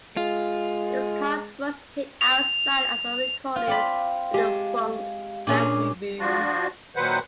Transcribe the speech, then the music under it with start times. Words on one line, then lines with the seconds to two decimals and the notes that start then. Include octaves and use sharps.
It was Khan's first hit outside of her recordings with the funk band Rufus.
0.17 G#3 F4
2.21 F7
3.56 F4 F5
3.67 C4 D5 B5
4.34 G#3 G4 A5
5.47 A#2 C#4 D4 G#4 D6
6.19 F3 D4 F4 F#4
6.96 A#2 D#3 F#3 B4 C5 F#5